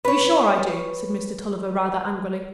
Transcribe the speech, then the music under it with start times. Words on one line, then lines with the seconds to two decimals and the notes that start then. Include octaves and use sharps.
"To be sure I do," said Mr. Tulliver, rather angrily.
0.05 B4 C#5